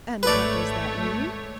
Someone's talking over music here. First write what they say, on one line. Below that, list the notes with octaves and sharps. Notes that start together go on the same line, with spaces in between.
And what does that mean?
G#1 A3 B4 C#5 D5